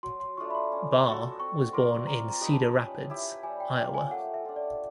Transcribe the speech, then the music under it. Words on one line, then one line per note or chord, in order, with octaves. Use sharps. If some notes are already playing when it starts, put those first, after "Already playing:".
Barr was born in Cedar Rapids, Iowa.
F#3 C6
C6
A3 D4 F4 C#6
B5
C6
C#4
F#4 A4
C4 C#6
F4 A#4 D5 C6
C4 A#5
A#5
D#4 G4 B4
A5
C#4
E4 G4
G3 G#5
G5
A#3 C#4 F4 G5
G#5
A3 F#5
E5
D4 F4
D5